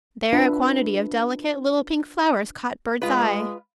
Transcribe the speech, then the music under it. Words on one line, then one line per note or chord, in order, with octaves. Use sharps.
There a quantity of delicate little pink flowers caught Bert's eye.
D4 F4 B4 E5
G#3 F4 B4